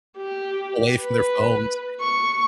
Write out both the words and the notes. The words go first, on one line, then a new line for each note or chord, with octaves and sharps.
away from their phones,
G4
B4
C#6